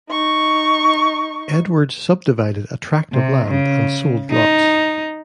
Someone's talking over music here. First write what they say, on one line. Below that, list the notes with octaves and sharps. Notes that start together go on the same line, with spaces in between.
Edwards subdivided a tract of land and sold lots.
D#4 C#6
C3
C#3
D#4